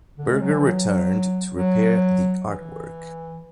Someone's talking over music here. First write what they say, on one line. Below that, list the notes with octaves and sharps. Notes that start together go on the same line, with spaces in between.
Berger returned to repair the artwork.
D3
G#3
F#3
E3
F#3
F#3
E3